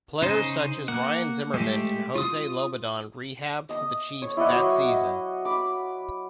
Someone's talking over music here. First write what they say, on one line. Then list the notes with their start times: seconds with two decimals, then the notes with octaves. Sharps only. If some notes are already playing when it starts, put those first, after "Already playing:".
Players such as Ryan Zimmerman and Jose Lobaton rehabbed for the Chiefs that season.
0.22 C#3 D#4 G#4 C5
0.88 A#3 F#5
1.54 G#3 A3 G4
2.15 F4 D#6
3.69 D#5 D#6
4.22 C#5
4.37 E4 D5 D#5 F#5
4.50 F#3 C#6
4.88 D#5
5.45 B5 D6